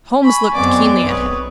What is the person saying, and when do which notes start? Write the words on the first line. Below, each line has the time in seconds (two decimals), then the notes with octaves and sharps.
Holmes looked keenly at him.
0.24 G#5 B5 C#6
0.54 F#2 G#3 B3 C4 D5 D6
1.08 B1 B4 C#5 C#6 D#6